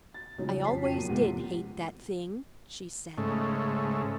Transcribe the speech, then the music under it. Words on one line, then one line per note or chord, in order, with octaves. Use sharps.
"I always did hate that thing," she said.
A6
C#3 F3 F#3 G#3 C#4 D#4
F2 C#4 G4 A5 B6 C7
F#4 G5 D#7
F#2 A#2
E2 G#2 C3 F3 A3 A#3
G#2 C#3 A3